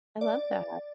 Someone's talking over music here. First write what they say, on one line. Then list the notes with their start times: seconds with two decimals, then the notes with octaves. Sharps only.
I love that.
0.21 D5